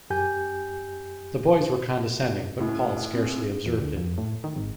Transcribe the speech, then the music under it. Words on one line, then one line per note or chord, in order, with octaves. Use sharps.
The boys were condescending, but Paul scarcely observed it.
F#2 G4 G#5 G6
C#2 A2
C4
E2
D2
F2
A2
D#3
G#1